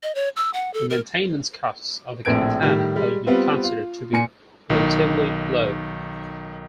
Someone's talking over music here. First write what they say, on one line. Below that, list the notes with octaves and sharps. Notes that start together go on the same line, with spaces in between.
The maintenance costs of the Katana have been considered to be relatively low.
D#5
C#5
E6
F#5
A4
A#4
A#1 A2 C4 G#6 D7
A2 D#3 G3
G3 G#3
G3 B3 C4 F4
F4
A#2 G#5 C#7
B1 D#3